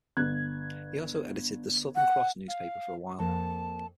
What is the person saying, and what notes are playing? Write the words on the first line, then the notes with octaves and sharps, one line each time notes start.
He also edited the "Southern Cross" newspaper for a while.
G1 F#6 G#6
F#5
F5
F2 A#3 A5